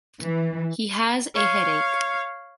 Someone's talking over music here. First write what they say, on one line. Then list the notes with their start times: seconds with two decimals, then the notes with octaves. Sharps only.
He has a headache.
0.21 E3
1.35 C#5 F5